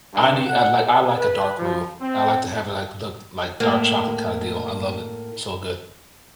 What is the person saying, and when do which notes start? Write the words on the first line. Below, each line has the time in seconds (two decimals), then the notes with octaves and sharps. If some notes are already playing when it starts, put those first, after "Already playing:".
I need I'd like I like a dark roux. I like to have it like look like dark chocolate kinda deal. I love it. So good.
0.14 G2
0.46 F#5
0.86 G#4
1.17 B4
1.58 F3
2.01 C4
3.60 A2 A#3